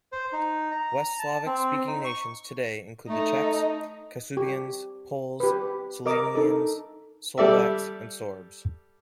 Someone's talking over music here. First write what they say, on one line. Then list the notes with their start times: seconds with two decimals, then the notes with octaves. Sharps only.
West Slavic speaking nations today include the Czechs, Kashubians, Poles, Silesians, Slovaks and Sorbs.
0.12 C5
0.33 D#4
0.71 A#5
1.19 A5
1.46 C4
1.87 D#4
2.05 C#6
3.09 A3 D#4 A4 D#5 A#5
4.37 G4
5.40 G4 B4
6.06 A#4 D#5 D6
6.35 D#4 A4
7.38 G3 A4 D5 E5